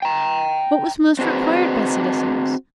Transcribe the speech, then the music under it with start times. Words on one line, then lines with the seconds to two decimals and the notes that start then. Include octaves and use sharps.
What was most required by citizens?
0.02 G5 A#5
1.19 C4 D4 D#4 F#4 G#4 B4